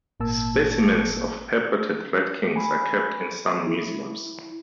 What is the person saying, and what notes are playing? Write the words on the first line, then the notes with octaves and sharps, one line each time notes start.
Specimens of purported rat kings are kept in some museums.
G#1 A#2 A#3 A5 E6
G#5 B5
E4